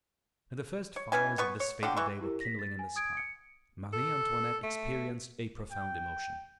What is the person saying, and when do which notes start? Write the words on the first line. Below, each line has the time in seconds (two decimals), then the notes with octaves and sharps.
When the first fires of this fatal day were kindling in the sky, Marie Antoinette experienced a profound emotion.
0.96 C#5
1.12 E3 C#4 B4 G#5
1.38 B3 B4 C#6
1.60 C#5
1.83 D3 F3 F#4 G4
1.97 E3 C#6
2.21 E4 G4 A#4
2.41 A#6 B6
2.59 A6
2.79 G#5
2.96 D#6 G#6 D7
3.17 C#7
3.93 A4
4.63 A3
5.71 G5